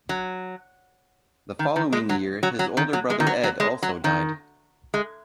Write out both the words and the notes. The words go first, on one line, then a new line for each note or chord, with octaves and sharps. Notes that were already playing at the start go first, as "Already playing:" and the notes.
The following year his older brother Ed also died.
F#3
D#3
D#3
G#3
F#3
F#3
F#3
D#3
F#3
G#3
D#3
F#3
F#3
G#3
F#3
D#3
G#3